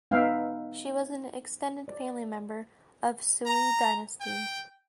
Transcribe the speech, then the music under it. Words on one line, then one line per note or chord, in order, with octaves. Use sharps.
She was an extended family member of Sui Dynasty.
B3 D#4 E5 F5 G5
D5
A#5
G5